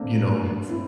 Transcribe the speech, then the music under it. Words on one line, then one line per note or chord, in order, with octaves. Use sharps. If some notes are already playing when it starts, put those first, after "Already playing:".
you know, f
Already playing: A3 A#3 C4 D4
C4 E4